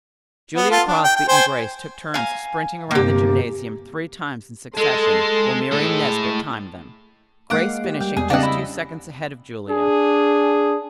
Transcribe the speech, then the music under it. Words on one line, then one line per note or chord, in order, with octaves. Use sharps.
Julia Crosby and Grace took turns sprinting around the gymnasium three times in succession, while Miriam Nesbit timed them, Grace finishing just two seconds ahead of Julia.
B3
F4 A4
D4
G5
G5
C5 G5 G#5
F5 G#5 A#5
G1 C3 A#3 G4
G#3 A4 A5 C6
A2 G#3 A4
G#3 A#3 F5 F#5 D6
G4
G3 G5
E2 G#4
C#3 C4 D4 D5 D#5 F5 F#5
E4
D4 G#4